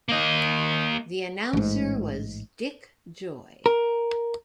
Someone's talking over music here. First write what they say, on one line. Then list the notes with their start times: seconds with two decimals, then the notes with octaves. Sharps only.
The announcer was Dick Joy.
0.09 A#3 D#5
1.53 A1 G#2
3.66 A#4